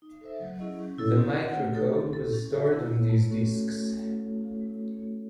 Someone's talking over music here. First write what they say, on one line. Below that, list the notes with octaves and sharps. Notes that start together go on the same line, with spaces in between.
The microcode was stored on these disks.
D#4
A4 C5 E5
F#3
C#4 E4 G#4 D#5
C#4
E4 A4 C#5
C4
F#4 C#5 F#5
A3
D#4 A4 C#5
C4
E4 A4
C#4
F#4 C#5 E5
E4
A4 C#5
A3
C#4 F#4 A4 C#5